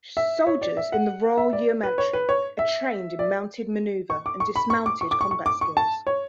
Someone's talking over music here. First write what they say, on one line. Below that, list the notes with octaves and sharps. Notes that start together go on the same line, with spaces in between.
Soldiers in the Royal Yeomanry are trained in mounted manoeuvre and dismounted combat skills.
E5
C#5
D5
E5
F#5
E5
D5
B4
C#5
B4
C#5
E5
D5
C#6
D6
C#6
B5
C#6
D6
C#6
D6
C#6
C#6
D6
C#6
A5
C#5